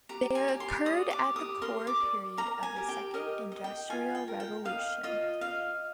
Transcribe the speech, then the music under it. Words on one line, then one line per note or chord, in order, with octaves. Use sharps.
They occurred at the core period of the Second Industrial Revolution.
G4 A#5
G#5
G4
C6
D5 D#6
D6
G4
D#6
A#4 C6
D6
D5
A#4 A#5
G#5
G4
G5
A#4 D#5
D#5
G5
F4 G#5
G5
A#4
G5
D#5 F5
F4 D#5
D#5 F5